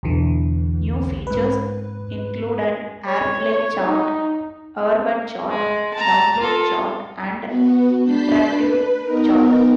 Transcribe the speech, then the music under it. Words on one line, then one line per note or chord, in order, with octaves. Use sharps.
New features include an Airplay Chart, Urban Chart, Download Chart and Interactive Chart.
B1 E2 D3 E3
G#2 B4
C#5
C#5
D#4
G#3
A5 A#5
F4 A4
B3 F#4
D4 A5 B5 G6 B6 C7
B4
B3 D#4 A#4